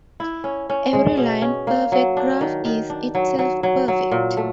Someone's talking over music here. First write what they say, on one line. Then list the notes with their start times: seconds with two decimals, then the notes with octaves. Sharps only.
Every line perfect graph is itself perfect.
0.20 E4
0.44 C#4
0.70 C#4
0.93 G#3
1.17 B2
1.42 C#4
1.67 A#3
1.92 F#3
2.17 D4
2.41 D#3
2.65 D#3
2.90 D4
3.15 F#3
3.39 F#3
3.63 F#3
3.88 F#3
4.11 A#2
4.37 A3